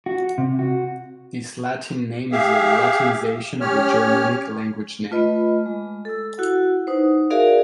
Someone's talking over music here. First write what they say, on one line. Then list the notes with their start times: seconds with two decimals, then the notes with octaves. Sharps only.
This Latin name is a Latinisation of a Germanic language name.
0.06 F#4
0.38 C3
0.59 F#4
2.32 G4 G#4 E5 F5
3.61 C#4 G4 C#5 F6
5.11 A3 F4 B4 D#5 B5
5.66 G#3
6.05 A4 E6
6.38 E4 F#4 F#5
6.87 D#4 B4 C5 F#5
7.30 F#4 G#4 A#4 D5 E5 F5